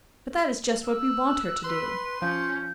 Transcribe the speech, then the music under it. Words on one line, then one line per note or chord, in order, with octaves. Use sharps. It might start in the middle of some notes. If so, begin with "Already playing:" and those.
But that is just what we want her to do.
E6 F#6
B4 C6
F3 C#4 G6